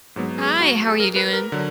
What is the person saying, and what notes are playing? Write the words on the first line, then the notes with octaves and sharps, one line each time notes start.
Hi, how are you doing?
G#2 F#3 B3
G#4
F#4
G#4
A#4
B4
A#4
D3 F#3